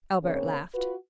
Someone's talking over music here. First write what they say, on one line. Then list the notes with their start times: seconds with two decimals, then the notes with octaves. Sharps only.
Albert laughed.
0.23 C#3 A#3 C4 C#5
0.74 F4 F#4 B4